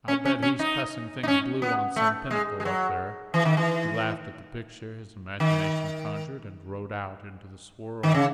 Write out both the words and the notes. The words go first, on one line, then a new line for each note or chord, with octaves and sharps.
"I'll bet he's cussing things blue on some pinnacle up there." He laughed at the picture his imagination conjured, and rode out into the swirl.
C#4
C#4
C#4
D#4
D#4
C#4
B3
A3
G#3
G#3
F#3
E3
D#3
E3
D#3
D#3
C#3